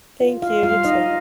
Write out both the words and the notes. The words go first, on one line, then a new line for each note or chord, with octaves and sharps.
Thank you, you too.
F4
F4 F5
G3 F4 F5
D#4 D#5